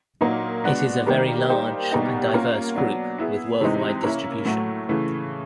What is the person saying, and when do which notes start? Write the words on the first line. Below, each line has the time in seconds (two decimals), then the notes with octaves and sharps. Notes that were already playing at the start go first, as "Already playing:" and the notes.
It is a very large and diverse group with worldwide distribution.
0.21 A#2 F#3 A#3 D#4
0.64 G#3 B3 D4 F#4
1.06 D#3 G3 A#3 D#4 G4
1.49 G3 A#3 D#4 G4 C5
1.91 B2 G3 A#3 D#4 G4
2.34 A#3 C#4 F4
2.75 F#3 B3 D4
3.18 B3 E4 G#4
3.61 C3 E3 G#3 C4 D#4
4.03 A#3 C#4 E4
4.45 A2 F#3 A3
4.89 C#3 E3 A3